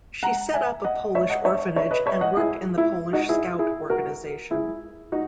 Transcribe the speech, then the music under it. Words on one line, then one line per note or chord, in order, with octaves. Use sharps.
She set up a Polish orphanage, and worked in the Polish Scout organization.
F#5 A#5
E5 G#5
D#5 F#5
C#5 E5
D#5 F#5
C#5 E5
C#5 E5
B4 D#5
C#5 E5
D#5 F#5
E4 G#4
E4
D#4 F#4
E4 G#4
E4 G#4
F#4 A#4
E4 G#4
D#4 F#4